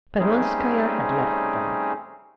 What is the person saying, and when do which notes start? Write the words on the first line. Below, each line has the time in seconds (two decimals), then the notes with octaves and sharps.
Peronskaya had left them.
0.19 G3 A3 C4 C#4 D#4 G#4